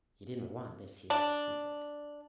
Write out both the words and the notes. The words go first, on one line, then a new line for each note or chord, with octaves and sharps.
"You didn't want this here," he said.
D4